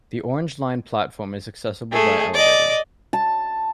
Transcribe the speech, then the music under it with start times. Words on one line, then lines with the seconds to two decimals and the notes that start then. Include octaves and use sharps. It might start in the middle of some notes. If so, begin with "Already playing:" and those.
The Orange Line platform is accessible by elevator.
1.92 A3 G#4
2.34 D5 D#5
3.13 A5